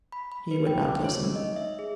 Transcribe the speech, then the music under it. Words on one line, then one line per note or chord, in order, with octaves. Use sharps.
He would not listen.
B5
B5
B4
G5
D6
C#5
D#4
D#5
E5
G#4